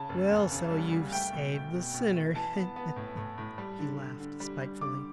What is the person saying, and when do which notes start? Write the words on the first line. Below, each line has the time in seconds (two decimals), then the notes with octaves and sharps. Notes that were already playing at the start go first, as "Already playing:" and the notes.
"Well, so you've saved the sinner?" he laughed spitefully.
Already playing: C#3 A5
0.09 F#1
0.31 E2
0.51 C#3
0.71 G3
0.91 G3
1.12 A3 G5
1.32 B2
1.54 A3
1.74 B2
1.94 B2
2.15 A3
2.35 E3 A5
2.56 B3
2.76 B3
2.96 A2
3.17 A2
3.38 A2
3.58 G3
3.79 D3
3.99 D3
4.20 D3
4.40 G3
4.61 G3
4.81 D3 D6